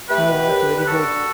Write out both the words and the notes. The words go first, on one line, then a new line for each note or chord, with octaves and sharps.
She was very good.
A3 G4 B4
B2
F#2
D3
B4
F#2 F#4 A4
D3